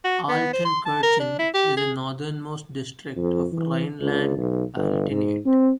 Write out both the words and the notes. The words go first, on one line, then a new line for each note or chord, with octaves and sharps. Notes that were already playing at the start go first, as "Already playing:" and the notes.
Altenkirchen is the northernmost district of Rhineland-Palatinate.
F#4
B3
C5
C6
A5
A#4
D4
E4
G4
G#4
F2
E3
C#2
B1
G1
G#2
C4